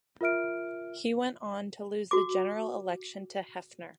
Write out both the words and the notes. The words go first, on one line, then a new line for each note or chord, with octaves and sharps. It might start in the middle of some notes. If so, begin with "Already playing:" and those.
He went on to lose the general election to Hefner.
F4 A#4 E5 F6 D7
F#4 D6